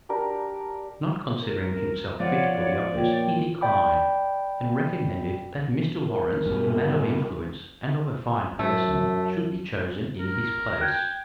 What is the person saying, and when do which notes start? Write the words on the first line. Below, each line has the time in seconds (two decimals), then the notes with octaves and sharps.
Not considering himself fit for the office, he declined; and recommended that Mr. Lawrence, a man of influence and of a fine person, should be chosen in his place.
0.09 D4 G4 A#4
1.40 A#4
2.20 F3 B3 C#5 D5 F5 F#5
2.95 A#2 C#5 G5
3.61 D5 G5 B5 D6
6.06 A#4
6.46 G2 B2
8.59 F#2 A3
10.20 A#4
10.81 G5 F#6 G#6